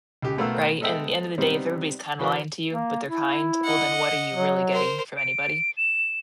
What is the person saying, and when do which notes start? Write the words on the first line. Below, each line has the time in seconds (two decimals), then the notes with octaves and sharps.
right, and at the end of the day, if everybody's kinda lying to you, but they're kind, well, then what are you really getting from anybody?
0.22 C#2 G4
0.38 B1 A3 B3 A#4 F5 E6
0.80 G#3 B3 A4 D#5 E5 G5
1.38 C3 G3 B3 C4 D4 D#4
2.20 E3 F#4 A#4 C5 D5
2.71 A#3
3.08 E4
3.63 D#5 F#5
4.33 F#3
4.71 A#4 C5
5.17 D7
5.77 E7